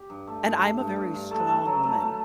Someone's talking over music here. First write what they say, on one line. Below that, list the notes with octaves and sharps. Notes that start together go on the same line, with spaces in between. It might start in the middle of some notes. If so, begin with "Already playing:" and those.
And I'm a very strong woman
Already playing: G4
G2
A3
G2
A3
G2
G2
G2
A3 A4
B4
A3 A4
F#3
A3
A3